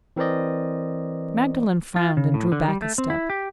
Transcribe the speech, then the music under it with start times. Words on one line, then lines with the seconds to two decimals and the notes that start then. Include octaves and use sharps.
Magdalen frowned, and drew back a step.
0.16 E3 C4 A#4 C5 D5 D#5
1.96 F4
2.17 C#3
2.34 A2
2.52 D3
2.68 G3
2.82 A3
2.98 C4
3.10 E4
3.30 G4